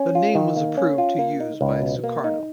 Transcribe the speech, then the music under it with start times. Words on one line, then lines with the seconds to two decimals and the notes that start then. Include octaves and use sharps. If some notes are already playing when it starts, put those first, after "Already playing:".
The name was approved to use by Sukarno.
Already playing: C#4
0.15 F4
0.35 D#3
0.56 A#3
0.77 C#4
0.98 F4
1.19 A#3
1.40 D#4
1.61 C#2
1.82 B2
2.04 A#3
2.24 D#4